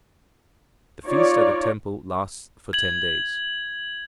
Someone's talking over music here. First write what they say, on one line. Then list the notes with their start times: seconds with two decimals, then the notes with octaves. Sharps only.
The feast at the temple lasts for ten days.
1.05 D#4 F4 C#5 D5
2.73 G#6 F#7